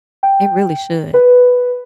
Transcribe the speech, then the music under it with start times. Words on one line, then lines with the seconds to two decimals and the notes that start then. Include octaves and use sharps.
It really should.
0.23 G5
1.14 B4